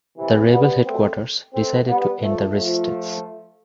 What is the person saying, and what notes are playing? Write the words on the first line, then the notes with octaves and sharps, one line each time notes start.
The rebel headquarters decided to end the resistance.
C3 E3
G3 B3
A3 C4
A3 C4
G3 B3
F3 A3
F3 A3